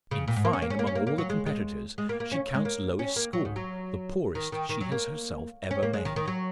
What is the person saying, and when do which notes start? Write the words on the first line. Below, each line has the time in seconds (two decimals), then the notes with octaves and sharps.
In fine, among all the competitors, she counts lowest score--the poorest she has herself ever made.
0.11 C#3
0.28 A#2
0.36 G#2
0.45 A#3
0.53 C#4
0.62 A#3
0.70 C#4
0.79 A#3
0.87 C#4
0.95 A#3
1.07 A#3
1.18 F#3
1.30 G#3
1.46 G#3
1.98 G#3
2.09 A#3
2.20 A#3
2.31 C#4
2.54 G#3
2.65 A#3
2.99 C#4
3.16 A#3
3.33 F#3
3.45 G#2
3.56 F#3
4.35 D#3
4.52 D#3
4.69 D#3
4.81 F#3
4.92 A#3
5.71 C#4
5.83 A#3
5.93 G#3
6.05 D#3
6.16 D#3
6.28 F#3